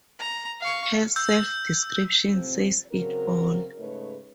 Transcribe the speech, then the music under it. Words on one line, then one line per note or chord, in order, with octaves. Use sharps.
Her self-description says it all.
A#5
F5 C#6
E6 G6
A2 C3 F3 C4
C#3 F#3 C4 A#4
G#2 C#3 A3 D#4 B4 C#5